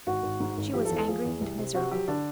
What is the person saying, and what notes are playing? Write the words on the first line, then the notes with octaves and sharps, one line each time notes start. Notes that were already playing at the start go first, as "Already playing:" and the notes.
She was angry and miserable.
G#1 F#4
G#1
G#2
G#1
F3 G4
A4
E2
A4
F3 G#4
E2
C2
C3
C3 F#4
F#3 G4
D3 D4